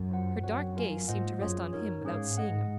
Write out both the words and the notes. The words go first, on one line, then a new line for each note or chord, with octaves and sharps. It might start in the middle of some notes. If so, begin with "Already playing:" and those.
Her dark gaze seemed to rest on him without seeing him.
Already playing: F#2
F4 C5 F#5
F#2 C4 F#4 C#5 F#5
F4 A#4 F5 G#5
G#2 A#3 F4 C5 D#5 F#5
F#2 C#4 F4 G#4 C#5
F#2 D#4 A#4 C#5
G#2 C#4 G#4 C#5 F5
G#4 D#5 F#5